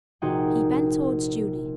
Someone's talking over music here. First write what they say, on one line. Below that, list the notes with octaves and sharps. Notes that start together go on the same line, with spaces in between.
He bent towards Julie.
A#1 C3 D#4 F#4 G#4 G5